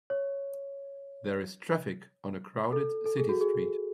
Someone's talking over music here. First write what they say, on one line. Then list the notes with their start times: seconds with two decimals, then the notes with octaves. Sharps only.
There is traffic on a crowded city street.
0.10 C#5
2.73 A4
3.05 A4
3.17 G#4
3.29 F#4
3.41 G#4